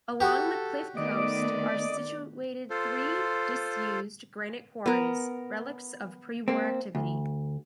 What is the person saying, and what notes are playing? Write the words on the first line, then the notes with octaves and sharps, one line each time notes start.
Along the cliff coast are situated three disused granite quarries, relics of pre-war activity.
F#4 G4 A4
D#3 A3 B3 D5 D#5 D6
F4 A4 C5
B3 A#4
A#3 C4
D2